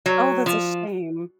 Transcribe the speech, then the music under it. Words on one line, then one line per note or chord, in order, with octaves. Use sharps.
Oh, that's a shame.
F#3
F3